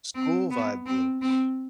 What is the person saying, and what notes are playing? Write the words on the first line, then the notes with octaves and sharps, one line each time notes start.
School-vibe looks?
C4
B3
C4
C4